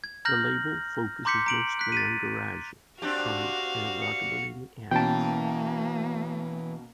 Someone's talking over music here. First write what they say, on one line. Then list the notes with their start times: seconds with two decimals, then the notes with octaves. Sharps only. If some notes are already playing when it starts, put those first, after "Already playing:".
The label focuses mostly on garage, punk, and rockabilly acts.
0.04 G#6
0.25 A#5 F6 G6 A#6 F#7
1.25 A#5 C6 D6 G6 B6 C#7
1.46 A#5 D7 F#7
1.79 F#6 B6
1.92 A6 B6 D#7
3.02 C4 D4 F#4 G4 F5
4.01 C#7
4.91 B2 E3 A#3 C#4 G5 A5 D7